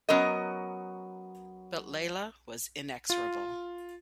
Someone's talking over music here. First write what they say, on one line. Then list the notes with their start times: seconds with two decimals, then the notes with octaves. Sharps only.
But Layla was inexorable.
0.09 F#3 B3 C#4 A#4 D#5
3.10 F4